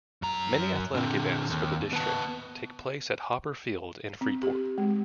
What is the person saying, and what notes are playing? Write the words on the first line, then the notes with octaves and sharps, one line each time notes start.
Many athletics events for the district take place at Hopper Field in Freeport.
F#2 A#5
D3 C4
D#2
B3 A5
C4
G4
G#3